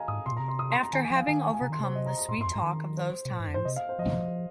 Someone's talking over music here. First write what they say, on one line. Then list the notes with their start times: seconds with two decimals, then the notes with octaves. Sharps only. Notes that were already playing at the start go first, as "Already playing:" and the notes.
After having overcome the sweet-talk of those times.
Already playing: D#5 F5 G#5 A#5
0.08 G#2 D#6
0.26 C3 C6
0.32 A#2
0.37 A#5
0.39 C3
0.48 C6
0.59 D#6
0.71 C6
0.82 A#5
0.93 D#3 G#5
1.05 G#5
1.10 F3
1.16 F5
1.27 D#3 G#5
1.54 G#5
1.61 C3 A#5
1.70 D#3 C6
1.80 C3 C5
1.95 D#5
2.06 A#5
2.18 A#5
2.29 A#2 C6
2.38 G#2
2.41 C6
2.46 F2
2.52 G#2 A#5
2.63 D#3
2.97 C5
3.25 C3
3.32 A#2
3.40 G#2
3.48 F2
3.54 G#2 C5
3.65 C3 D#5
3.76 F5
3.89 C5
3.99 F3 D#5